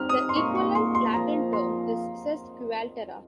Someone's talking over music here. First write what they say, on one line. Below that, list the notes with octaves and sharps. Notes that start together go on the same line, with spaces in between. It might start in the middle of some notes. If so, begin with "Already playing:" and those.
The equivalent Latin term is sesquialtera.
Already playing: G3 C4 D#4 F6
D#6
C6
A#2 G#3 D#4 G#4 C#6
C#6
C6
C6
F3 A#3 F4 G#4 A#5
C6